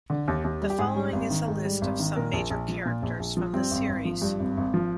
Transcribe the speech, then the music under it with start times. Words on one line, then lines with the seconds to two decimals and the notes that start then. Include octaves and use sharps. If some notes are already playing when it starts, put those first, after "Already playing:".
The following is a list of some major characters from the series.
0.10 D3
0.28 D#2
0.44 D#2
0.61 G3
0.70 G4
0.79 G#2 G#4
0.96 G3
1.13 G#1
1.30 D#3
1.48 G#2
1.65 G3
1.82 G#1
1.99 D#3
2.16 A#2 A#4
2.33 A#1
2.50 A#1
2.68 F3
2.85 A#2
3.02 A#1
3.20 A#1
3.37 F3
3.53 G2 C4
3.71 G#1
3.89 G#1
4.05 F3
4.22 G2
4.40 G#1
4.57 G#1
4.74 F3